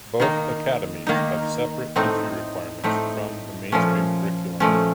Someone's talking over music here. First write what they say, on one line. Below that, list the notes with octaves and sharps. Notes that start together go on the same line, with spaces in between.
Both academies have separate entry requirements from the mainstream curriculum.
D#3 A#3 D#4
D#3 A#3 D#4
A2 A3 C4 D#4
A2 A3 C4 D#4
A#2 F3 A3 C#4
A#2 F3 A3 C#4